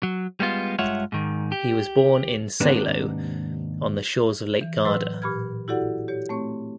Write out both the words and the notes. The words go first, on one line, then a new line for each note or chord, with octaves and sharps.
He was born in Salo on the shores of Lake Garda.
F#3
G3 G#3 B3 F4
G2 G#3 F4 C#5 E5 F#5
G#2 D#3
G4
D#2 G#2 C3 B3 D4 D#4
E3
A2 F#3 B4 C6 E6
A#2 G4 B5 F6 G#6
E4 F#4 G4 A4 D5 F#5
G4 C#5
A3 C4 C#5 C#6